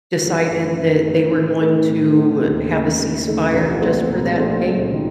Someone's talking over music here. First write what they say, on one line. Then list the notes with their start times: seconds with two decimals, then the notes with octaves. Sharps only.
decided that they were going to have a ceasefire just for that day
0.22 F#1
0.49 F#2 D#3 A3 D#4
0.77 F#1
1.05 F#2 D#3 A3 D#4
1.33 A2
1.60 A3 C4 D#4
1.88 A2
2.15 A3 C4 D#4
2.43 D#2
2.71 C#3 A3 D#4
2.98 D#2
3.26 C#3 A3 D#4
3.54 C2
3.81 A#2 A3 C4
4.09 C2
4.37 A#2 A3 C4
4.64 C#2
4.92 C3 F3 C4 D#4